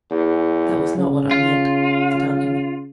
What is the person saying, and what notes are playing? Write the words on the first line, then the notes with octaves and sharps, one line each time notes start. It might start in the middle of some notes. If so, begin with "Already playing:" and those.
"That was not what I meant," said Aunt Emmy.
E2
C#3
F4